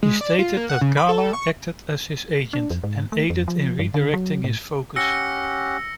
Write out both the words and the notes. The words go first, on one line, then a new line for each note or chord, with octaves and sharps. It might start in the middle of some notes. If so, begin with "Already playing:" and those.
He stated that Gala acted as his agent, and aided in redirecting his focus.
G#3
D5
F4
A#3
F#5
C#3
B5
A4
C#6
D4
F2
G#2
A3
F2
F3
G2
D3
F#3
A2
C#4 G4 F#5 E6 A#6 C#7